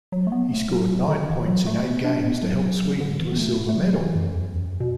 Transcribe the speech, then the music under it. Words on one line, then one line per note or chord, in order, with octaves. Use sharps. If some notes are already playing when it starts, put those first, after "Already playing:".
He scored nine points in eight games to help Sweden to a silver medal.
F#3
A3
B3
A3
F#3
D3
E3
F#3
A3
B3
D4
B3
F#3
D3
E3
B3
A3
A3
F#3
E3
F#2
E2
F#2
B2